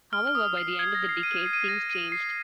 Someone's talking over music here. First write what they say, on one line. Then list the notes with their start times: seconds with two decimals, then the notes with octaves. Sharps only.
However, by the end of the decade, things changed.
0.13 F6
0.27 F6
0.35 D#6
0.57 C7
0.79 G#6
0.95 A#6
1.09 C7
1.23 D#7
1.46 C7
1.53 D#7
1.61 C7
1.68 A#6
1.90 D#7
2.12 C7